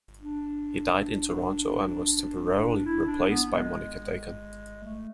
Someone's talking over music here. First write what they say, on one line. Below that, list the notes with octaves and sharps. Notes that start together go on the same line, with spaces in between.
He died in Toronto and was temporarily replaced by Monica Dacon.
D4
E4
D4
B3
G#3
A3